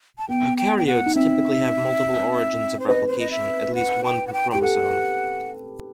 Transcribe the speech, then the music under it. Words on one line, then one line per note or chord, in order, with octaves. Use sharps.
Eukaryotes typically have multiple origins of replication; at least one per chromosome.
A5
B3 G5
G5
G5
F#5
D#4
C4 E5
C5
B4 D#5
C5
D#5
E5
F#5
G5
F#5
G5
G4 G5
A4 F#5